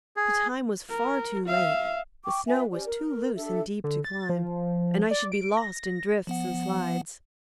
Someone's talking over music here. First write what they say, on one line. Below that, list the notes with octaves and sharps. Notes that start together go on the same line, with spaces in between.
The time was far too late, the snow was too loose and deep to climb, and I should be lost in drifts and slides.
G#4
A#4
E5 F5
G5 C#6 D6
F4 B4 E5 G#5
C#4 G4 C5 D5
A#4
D4 G4 A4 E5
D3
A6
F3
D5
D7
A#6
F3 B3 F#5